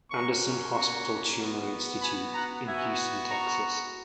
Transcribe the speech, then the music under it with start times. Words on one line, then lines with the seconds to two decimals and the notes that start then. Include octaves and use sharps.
Anderson Hospital Tumor Institute in Houston, Texas.
0.11 A#3 C#4 F#4 A#5 C#6
0.75 A#5 C#6
1.38 B3 F#4
2.02 G#5 B5
2.34 F#5 A#5
2.65 B3 F#4 E5 G#5
3.29 A#5 C#6